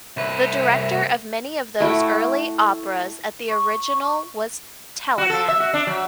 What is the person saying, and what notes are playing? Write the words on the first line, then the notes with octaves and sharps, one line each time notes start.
The director of many of those early operas at the original was Telemann.
C2 B4 E5
A3 E4 F#4 G5
C#6
F#4
A4
E5
F#4
D4
F#3